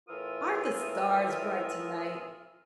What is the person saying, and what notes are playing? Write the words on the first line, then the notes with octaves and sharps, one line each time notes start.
Aren't the stars bright tonight?
A2 E3 F4 A#4 D#6 E6